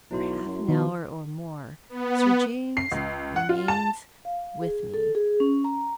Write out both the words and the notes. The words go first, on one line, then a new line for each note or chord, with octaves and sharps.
For half an hour or more Sir James remains with me.
B1 E4 F#4 C6
F#2
B2 D#3
B3
C7
C#2
F#5
F4
A5
F5
G#4
A4
G#4
C#4
A#5